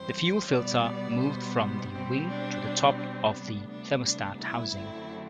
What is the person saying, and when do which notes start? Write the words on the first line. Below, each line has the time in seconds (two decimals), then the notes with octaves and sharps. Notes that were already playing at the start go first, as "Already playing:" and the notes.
The fuel filter moved from the wing to the top of the thermostat housing.
Already playing: F#2 E3 G3 C4 C5
0.50 B2 G3 B3 D5
1.21 C5
1.92 B2 G3 C4
2.27 D4
2.98 D4
3.34 D2 C3 G3 B3
3.69 D4
4.04 D4
4.40 E4
4.75 F#2 D3 F#3 A3 C4